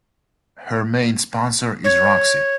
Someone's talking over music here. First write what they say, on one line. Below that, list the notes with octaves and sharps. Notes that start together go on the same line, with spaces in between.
Her main sponsor is Roxy.
C#5